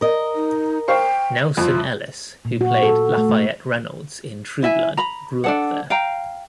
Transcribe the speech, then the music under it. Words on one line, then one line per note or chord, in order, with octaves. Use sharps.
Nelsan Ellis, who played Lafayette Reynolds in "True Blood", grew up there.
A#4 D#5
D#4
C5 F5 G5 C#6
F2 E4 F4
A#2
F#4
A4
A3
A3
E4 E5 G#5
A#5 B5
D4 A4 F#5
F5 G5 A#5